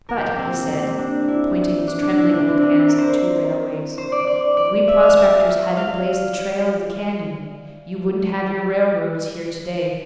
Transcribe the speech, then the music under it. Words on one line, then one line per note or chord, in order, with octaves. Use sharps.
'But,' he said, pointing his trembling old hands at the two railways, 'if we prospectors hadn't blazed the trail of the canyon, you wouldn't have your railroads here to-day.
A#4
G4
A#3
C4
A#3
C4
D4
E4
D4
D4
E4
D4
C4
D4
E4
A#4
C5
A#4
C5
D5
D5
D5
E5
F5
E5
F5